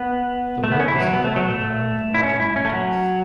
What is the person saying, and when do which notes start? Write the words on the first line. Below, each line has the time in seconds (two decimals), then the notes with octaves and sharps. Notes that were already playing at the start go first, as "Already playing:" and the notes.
The work was mainly along the Rocky Mountains.
Already playing: B3
0.64 A3
0.72 B3
0.80 C#4
0.88 E4
0.96 E3
1.01 F#3
1.13 B3
1.24 A3
1.36 F#3
1.48 A3
2.14 E4
2.23 C#4
2.40 E4
2.56 C#4
2.65 A3
2.72 F#3